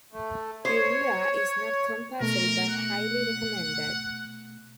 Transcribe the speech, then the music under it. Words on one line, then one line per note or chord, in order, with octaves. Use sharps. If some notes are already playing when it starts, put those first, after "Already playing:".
The Umrah is not compulsory but highly recommended.
A3
C5 C#5
B2 A3 A#4
F#5